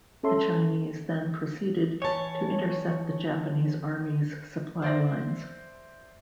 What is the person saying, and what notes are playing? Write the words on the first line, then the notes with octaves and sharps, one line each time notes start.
The Chinese then proceeded to intercept the Japanese army's supply lines.
C#4 A4 E5 C6
E3 C#5 A5
C5 D5 E5 A#6